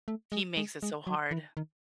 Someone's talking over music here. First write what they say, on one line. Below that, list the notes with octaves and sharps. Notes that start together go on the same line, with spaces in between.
He makes it so hard
A3
G#3
G#3
G#3
F#3
E3
D#3